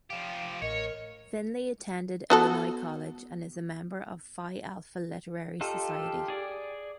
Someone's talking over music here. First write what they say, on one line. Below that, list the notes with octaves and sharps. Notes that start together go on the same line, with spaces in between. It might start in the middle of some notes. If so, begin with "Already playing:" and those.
Findley attended Illinois College and is a member of Phi Alpha Literary Society.
F3 G4 F5
A1 A#4 C#5 D#5
B3 F#4 A4
D#4 F4 G4 A4
G#4 D5